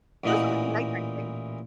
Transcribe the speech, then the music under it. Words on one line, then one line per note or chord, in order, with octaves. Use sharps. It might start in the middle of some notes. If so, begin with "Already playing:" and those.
Just a little nighttime thing.
A1 A#2 E3 D#4 F#5